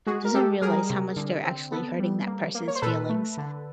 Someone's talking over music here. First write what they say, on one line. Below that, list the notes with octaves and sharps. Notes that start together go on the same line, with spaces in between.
doesn't realize how much they're actually hurting that person's feelings.
G#3 F#4 G#4
A#4
G#3 G4 A4
G3 G#4 A#4
C3
D3
C4
B3 A4 B4
G3
A#3
A#3
C#5
C5
A#2 A4 B4
A3
D3